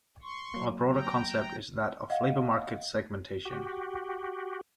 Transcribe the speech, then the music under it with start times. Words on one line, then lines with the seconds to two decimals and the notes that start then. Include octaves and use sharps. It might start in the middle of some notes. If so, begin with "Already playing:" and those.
A broader concept is that of labor market segmentation.
0.22 C6 C#6
0.54 F#3 A#3
0.91 G5 A#5
2.10 D#5 F5 F#5
3.45 F#4 G4